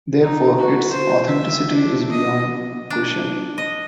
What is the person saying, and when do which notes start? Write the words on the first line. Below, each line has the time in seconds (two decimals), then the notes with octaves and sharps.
Therefore, its authenticity is beyond question.
0.22 D#4
0.59 F#4
0.92 C5
1.28 E5
1.73 D4
2.12 D#5
2.90 D4
3.58 D#5